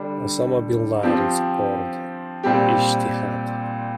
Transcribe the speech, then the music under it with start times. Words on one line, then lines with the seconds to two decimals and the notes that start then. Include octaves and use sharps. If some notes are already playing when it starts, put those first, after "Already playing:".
Osama Bin Laden supported "ijtihad".
Already playing: D3 G3 D4
1.03 F3 C4 G4
2.43 A#2 G3 C4 G4